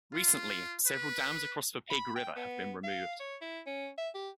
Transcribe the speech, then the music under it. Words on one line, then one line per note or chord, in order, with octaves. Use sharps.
Recently, several dams across the Pigg River have been removed.
F4
B4
B5
G5
B3
F5
C#5
E4
C#4
E5
G4